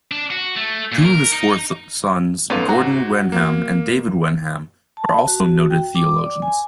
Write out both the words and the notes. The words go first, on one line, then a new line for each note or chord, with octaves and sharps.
Two of his four sons Gordon Wenham and David Wenham are also noted theologians.
D4
F#4
A3
A#2
A#4
D#4
G#2 B3 C#4 A4 B4 F5
F#4 A#5
A#3
A5
F#4
F#4
G5
D6
D5
G#5